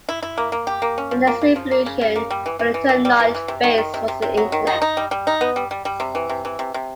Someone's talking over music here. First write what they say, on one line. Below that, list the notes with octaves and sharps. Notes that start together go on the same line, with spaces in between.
The next evolution for the term knowledge-base was the Internet.
E4
E4
A#3
A#3
G4
A#3
C#4
F3
A#3
C#3
F3
A#3
C#3
C#3
A#3
G3
E3
E3
E3
E3
G3
E3
E3
C3
D#3
D#3
C3
C3
C3
F#3
D#3
D#4
D#4
G3
G3
D#4
B3
G3
G3
G3
C3
E3
C3
E3
C3
C3